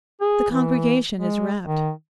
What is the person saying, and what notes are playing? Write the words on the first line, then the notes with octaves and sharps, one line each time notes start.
The congregation is rapt.'
G#4
E3
G#3
D#3